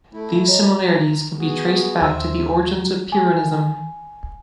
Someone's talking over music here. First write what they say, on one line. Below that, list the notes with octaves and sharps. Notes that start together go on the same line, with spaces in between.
These similarities can be traced back to the origins of Pyrrhonism.
A3 E4
C#5 D#5 A#5
B3 F#4 G#4
D#2 C5 E5 E6
G#5